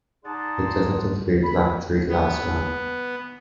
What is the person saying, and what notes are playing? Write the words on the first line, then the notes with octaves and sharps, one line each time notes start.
It does not include laboratory glassware.
D#4 G#4 D5 F#5 A5 C6
B5
B3